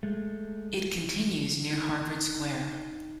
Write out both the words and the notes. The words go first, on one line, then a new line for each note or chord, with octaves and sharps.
It continues near Harvard Square.
G#3 A3
D#4